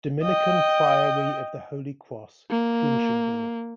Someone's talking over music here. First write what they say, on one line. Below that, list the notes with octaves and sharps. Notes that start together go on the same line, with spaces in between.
Dominican Priory of the Holy Cross, Cloonshanville.
D#5 G5
A#3